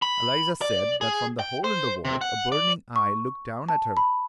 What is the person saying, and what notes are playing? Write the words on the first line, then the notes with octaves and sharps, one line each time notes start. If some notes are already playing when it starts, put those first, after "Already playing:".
"Eliza said that from the hole in the wall a burning eye looked down at her!"
B5
D5
G#4
G5
C5
C3
F#5
D5
C#6
A5
B5